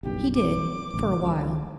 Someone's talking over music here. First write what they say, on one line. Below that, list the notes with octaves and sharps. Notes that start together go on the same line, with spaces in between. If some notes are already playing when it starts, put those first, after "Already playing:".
He did--for a while.
F#1 B1 G2 G4
D6
A1 D2
C#2